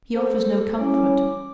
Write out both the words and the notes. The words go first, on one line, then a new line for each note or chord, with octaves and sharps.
He offers no comfort.
A4 C5
G3 C#4 E4 D6